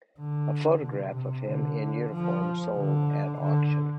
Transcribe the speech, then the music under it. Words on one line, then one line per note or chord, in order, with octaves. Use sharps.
A photograph of him in uniform sold at auction.
D3
C3
C3
D3
F3
D3
D3